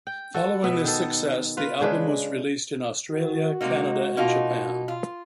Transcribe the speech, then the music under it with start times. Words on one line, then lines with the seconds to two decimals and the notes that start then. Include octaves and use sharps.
Following this success the album was released in Australia, Canada and Japan.
0.07 G5
0.34 F#4 A4
0.63 B2 B3 E5
0.85 D#3 A4
1.57 F4 B4
1.80 C#3 G#3 D4 B4
3.11 D#3 F#4
3.61 C3 G#3 A#3 D#4
4.17 B2 A#3 D#4 F4
4.88 F4